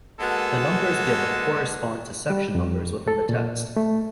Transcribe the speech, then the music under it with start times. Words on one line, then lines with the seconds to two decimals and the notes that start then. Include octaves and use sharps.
The numbers given correspond to section numbers within the text.
0.20 G#3 A#3 B3 F#4 A4
2.30 G3
2.55 F2
3.08 A4
3.29 A#2
3.77 A3